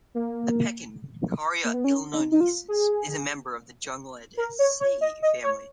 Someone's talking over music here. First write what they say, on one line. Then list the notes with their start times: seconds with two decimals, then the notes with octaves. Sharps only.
The pecan, "Carya illinoinensis", is a member of the Juglandaceae family.
0.15 A#3
1.64 A#3
1.74 B3
1.84 C#4
2.12 D#4
2.32 D#4
2.41 F4
2.68 G#4
4.37 A#4
4.59 C#5
4.80 C#5
5.01 D#5
5.22 D#5
5.43 C#5